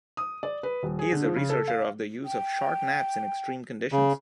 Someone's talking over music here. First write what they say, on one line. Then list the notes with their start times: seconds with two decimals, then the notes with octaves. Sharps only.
He is a researcher of the use of short naps in extreme conditions.
0.17 D#6
0.43 D5
0.63 B4
0.83 D#1
0.99 G#4
1.12 D3
1.24 F3
1.36 C#3
1.50 A4
1.68 F5
2.25 G5
3.92 C#3